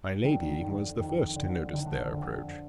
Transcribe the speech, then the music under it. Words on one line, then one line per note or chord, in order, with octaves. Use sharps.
My Lady was the first to notice their approach.
D3 D#3
D#3
F2 D#3
F2 D#3
D3
D3 D#3
D3
F2 D3